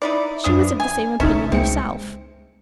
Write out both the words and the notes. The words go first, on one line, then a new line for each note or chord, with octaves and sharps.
She was of the same opinion herself.
D#4 E4 D5
F#2 E3 F3 D4 D#6
G#5
G1 C2 C#4 D#4 E5 A5
C#2 G#3 C4 C#7